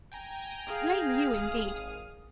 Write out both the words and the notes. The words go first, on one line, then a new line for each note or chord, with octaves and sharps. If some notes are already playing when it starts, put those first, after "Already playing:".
Blame you, indeed!
G5 G#5 A#5
G#4 F5
G#1 D#6